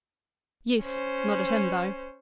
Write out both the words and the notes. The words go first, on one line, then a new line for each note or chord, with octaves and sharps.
'Yes; not at him, though.
C#4 C5